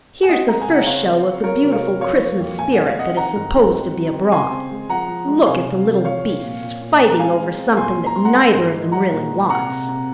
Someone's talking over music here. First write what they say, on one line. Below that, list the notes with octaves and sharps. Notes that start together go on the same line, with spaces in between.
"Here's the first show of the beautiful Christmas spirit that is supposed to be abroad. Look at the little beasts fighting over something that neither of them really wants!"
G#5
C4 D#5 F#5
G#3 A#5
G#5
C#3
F#5
C4 C#5 F5
C4
C4
F#3 A#4 C#5
C3
C#5 F5
F#3
F2 C#5 F5
A#3
F2
A#2 G#5
F#5
G#3
F5
C4 D#5 F#5
D#3 F#5 A#5
G#2
G#2
C4
F#3
C4
C#3 G#5 C6
C4
G#3
F3 F#5 A#5
F3
G#3
C3 F5 G#5
C3
C3
F3 C#5 F5
C4
A#2
A#2
A#2
C4
A#5
G#3 F5 G#5
G#3
C4
A#2 G#5 C6
A#2
A#5
C4 C6
F#5 A#5
G#3 G#5 C6
G#2
G#3
G#3 F#5 A#5
A#2
G#3
C3 F#5 A#5
C3
C3